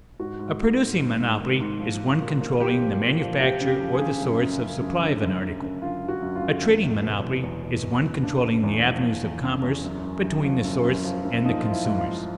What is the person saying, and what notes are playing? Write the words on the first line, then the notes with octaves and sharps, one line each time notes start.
A producing monopoly is one controlling the manufacture or the source of supply of an article; a trading monopoly is one controlling the avenues of commerce between the source and the consumers.
G#2 F#4
G#2
G#2
G#2
G#2
G#2
D#3
G#2
F3
F3
A#2
A#2
A#2 G4
F3
A#2
F3
F3 G4
C#3
G4
F3
G#4
C#3
F#2
F#2
C#3
F#2
D3
F#2
F#2
F#2
D3 F4
D3
F#4
F#2
F4
F#2
E2
E2
B2
E2
E2
B2
B2
E2
C#3 D4
C#3
E2
F3
E2
E2
C#3
E2
F#2
F#2
F#2
F3
F#2
F#2
F3
F#2
F3 D#4
F3 F4
E4
G#2
F4
F3